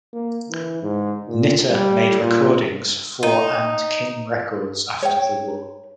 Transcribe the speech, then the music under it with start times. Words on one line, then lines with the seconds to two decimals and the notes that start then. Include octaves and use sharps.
Nitta made recordings for and King Records after the war.
0.14 A#3
0.50 E3
0.82 G#2
1.28 A#2
1.70 G3
2.20 A#2
3.23 D#4
5.02 C#5 G5